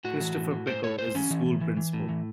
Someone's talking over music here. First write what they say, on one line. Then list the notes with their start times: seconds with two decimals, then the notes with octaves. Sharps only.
Christopher Pickell is the school principal.
0.05 A2 F#4
0.20 E3
0.36 A2
0.51 A2
0.67 A2 C5
0.83 A2 C#5
0.99 A2 C5
1.15 E3 C#4
1.30 E3
1.46 A2
1.61 E3
1.77 E3
1.93 A2
2.09 E3